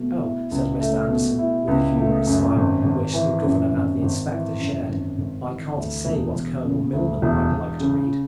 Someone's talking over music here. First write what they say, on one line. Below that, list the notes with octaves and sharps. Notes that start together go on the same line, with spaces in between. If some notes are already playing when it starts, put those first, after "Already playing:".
"Oh," said Mr. Anderson, with a humorous smile, which the Governor and the Inspector shared, "I can't say what Colonel Milman might like to read."
Already playing: B2 A3
E4
C#2
A3
B2
E4
C#2
A3
F#2
G#1
G#1
E3
F#2
G#1
G#1
E3
F#2
G#1
G#1
E3
D2
E1
E1
C#3
D2
E1
E1
C#3